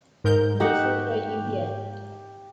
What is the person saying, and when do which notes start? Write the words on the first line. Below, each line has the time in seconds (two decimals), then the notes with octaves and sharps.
This Is What You Get.
0.24 G#2 A#4 G6
0.60 D#4 F#4 G4 F#5 E6